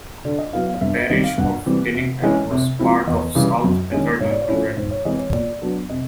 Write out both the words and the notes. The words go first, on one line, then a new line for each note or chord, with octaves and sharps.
The parish of Dinnington was part of the South Petherton Hundred.
D3 D5
D#5
F#3 B3 E4 F5
F5
G2 E5
E5
D#3 G3 C4 D#5
F5
G2 F#5
E3 G3 C4
C3
E3 G#3 C#4 E4
C3
F3 G#3 C4 E4
E2 D#5
C#3 E3 G3
F#2
D#3 G#3 C#4
G#2 C#5
D5
C#5
F3 A3 C#4 E4
G#2 C5
C#5
E3 G#3 C4 D#5
C#5
A#2 D5
F#3 B3 D4
C3 D#5